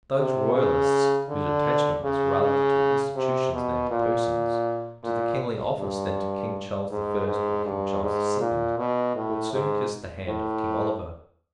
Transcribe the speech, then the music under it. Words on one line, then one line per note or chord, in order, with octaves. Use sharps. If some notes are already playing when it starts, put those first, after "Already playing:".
Those Royalists whose attachment was rather to institutions than to persons, to the kingly office than to King Charles the First or King Charles the Second, would soon kiss the hand of King Oliver.
C3
C#3
D3
C#3
C#3
C3
B2
A#2
A#2
G2
G#2
G#2
G2
G#2
A#2
B2
A2
G#2
A2